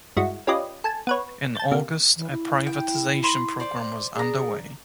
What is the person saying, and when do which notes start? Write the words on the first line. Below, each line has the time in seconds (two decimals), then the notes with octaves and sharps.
In August, a privatization program was underway.
0.17 G2 G#3 E4 F#4
0.47 C#4 F4 G4 B4 D5 D#5
0.84 A4 G#5 A5
1.07 B3 B4 C#5
1.55 A5 G6 A6
1.71 C3 A#3
2.16 E3
2.31 E4
2.67 G5
3.23 B5 C6
3.60 C5 D5
4.15 D4 G#4 A#5